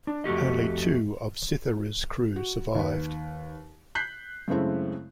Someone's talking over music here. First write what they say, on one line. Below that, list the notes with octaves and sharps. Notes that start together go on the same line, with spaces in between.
Only two of "Cythera's" crew survived.
D4
F2 A3 F#4 G4 D#5
F#4
D#2 B4
F#6 G6 B6 C7
F#2 C#3 G#3 A3 C4 E4